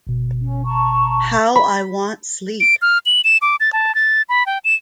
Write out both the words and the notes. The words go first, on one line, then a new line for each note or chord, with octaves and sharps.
How I want sleep!
G1 B2
C#4
A5 A#5 C#6
B5
D7
F6
F#7
E7
D6
A6
A5
A6
B5
G5
E7